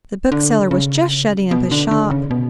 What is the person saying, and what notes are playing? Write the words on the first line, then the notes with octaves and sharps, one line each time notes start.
The bookseller was just shutting up his shop.
D3
C#3
B2
D3
D3
C#3
B2